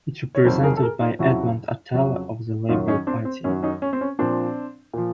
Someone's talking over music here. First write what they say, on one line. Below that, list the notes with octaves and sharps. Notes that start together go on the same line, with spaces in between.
It is represented by Edmond Atalla of the Labor Party.
C#5
F2 C3 D#3 F#3 A#4 C5
G#4 A#4
A4
G#4 A#4
D#4 F4
F2 C#3 F#3 E4 F#4
F2 C#3 F#3
F#2 D#3 F#3 D#4 F4
C#4 D#4
C4 D4
C4
F#2 D#3 F#3 C#4
C#4 D#4
C#4
C4
C#4
A#2 F3 C4 D4
A#2 F3